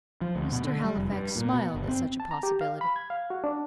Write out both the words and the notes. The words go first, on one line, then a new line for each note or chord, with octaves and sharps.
Mr. Halifax smiled at such a possibility.
F3
D2
B2
D3
G3
F1
G2
A#2
B2
G1
C4
A5
A#5
G4
F5
B5
G#6
F5
F#4
D4